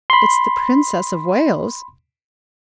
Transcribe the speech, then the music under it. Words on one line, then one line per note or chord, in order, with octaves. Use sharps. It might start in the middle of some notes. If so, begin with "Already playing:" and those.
"It's the Princess of Wales."
B5 C6